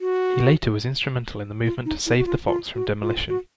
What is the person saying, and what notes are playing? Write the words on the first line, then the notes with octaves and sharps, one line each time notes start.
He later was instrumental in the movement to save the Fox from demolition.
F#4
F4
D#4
E4
F#4
F4
F4
F#4
F4
F#4